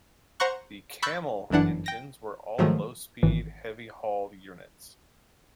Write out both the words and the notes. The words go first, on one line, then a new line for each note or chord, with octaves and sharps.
The "Camel" engines were all low-speed, heavy haul units.
C5 F#5 A#5 C#6 F#6
B5 C#6 E6 F#6 G6 A6
G1 F#2 E3 D4 F#5
G5 A#6
G#2 D#3 F3 F#3 A3
G#1 E3